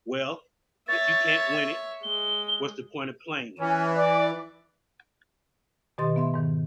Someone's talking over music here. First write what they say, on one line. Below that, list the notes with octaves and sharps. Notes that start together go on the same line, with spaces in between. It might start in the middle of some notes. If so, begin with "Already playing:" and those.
Well, if you can't win it, what's the point of playing it?
C#5 E5 A6
G#3 G7
E3 C#4
D5
B2 D#3 G4 D#5 C6 A6
B3 E5 C6
G#2 D#3